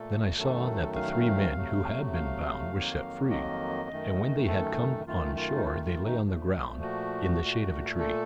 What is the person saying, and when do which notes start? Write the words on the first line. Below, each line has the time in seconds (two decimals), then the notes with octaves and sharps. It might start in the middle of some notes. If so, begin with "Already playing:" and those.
Then I saw that the three men who had been bound were set free; and when they had come on shore they lay on the ground, in the shade of a tree.
Already playing: A#2 A3 A4
0.38 F#2 D#3 F#3 A3 A4
0.96 F5
1.54 C3 F#3 A3
2.14 F5
2.72 F2 D#3 F#3 A#3
3.30 D#5
3.89 F#2 D#3 A3
4.48 A4
5.06 F#2 D#3 A3 F4
5.36 F4
5.55 D#4
5.65 F4
5.85 F4
6.04 D#4
6.24 A#2 F3 A3
6.82 F#4
7.41 A#2 A3
7.99 A4